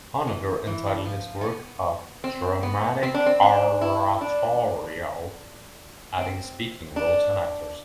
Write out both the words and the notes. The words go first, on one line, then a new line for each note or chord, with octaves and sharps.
Honegger entitled his work a "dramatic oratorio", adding speaking roles and actors.
E3
E3
F3
A3
B3
C4
B3
C4
D4
C4
D4
E4
D4
C4
D4